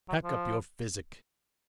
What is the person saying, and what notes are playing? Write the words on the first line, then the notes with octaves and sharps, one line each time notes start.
Pack up your physic.
F#3
F3